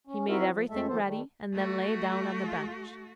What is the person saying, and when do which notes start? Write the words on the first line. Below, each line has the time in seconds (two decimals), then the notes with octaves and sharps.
He made everything ready, and then lay down on the bench.
0.07 C#4
0.28 C4 D#4 E4 F#4 A#4 E5
0.49 F3
0.70 F2 G#3 A3 A4 E5
0.88 D#3 F3 B3 A4 C5
1.05 D#3 G3 A3
1.53 A3 F#4